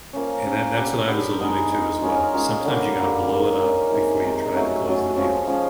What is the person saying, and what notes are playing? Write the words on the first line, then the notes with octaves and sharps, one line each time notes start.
And that that's what I was alluding to as well. Sometimes you gotta blow it up before you try to close the deal
F3 A#3 C#4
F3 A#3 C#4
B3 D4 G4 A#4
B3 D4 G4 A#4
G#3 B3 D#4
G#3 B3 D#4
G#3 C#4 F4 A#4
G#3 C#4 F4 A#4
D3 G3 A#3
D3 G3 A#3
D#3 G#3 C#4
D#3 G#3 C#4
C3 D#3 G#3
C3 D#3 G#3
F#3 A3 C#4
F#3 A3 C#4
F3 G#3 C#4
F3 G#3 C#4